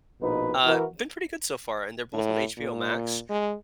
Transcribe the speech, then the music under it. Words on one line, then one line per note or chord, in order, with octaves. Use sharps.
uh, been pretty good so far, and they're both on HBO Max.
A#1 B2 D#4 B4
E3 E4 F#4 A#4
A2
A#2
G#3